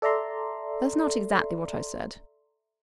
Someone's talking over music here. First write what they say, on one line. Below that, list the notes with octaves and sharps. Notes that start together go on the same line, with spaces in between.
"That's not exactly what I said."
A4 D5 E5 A#5 C6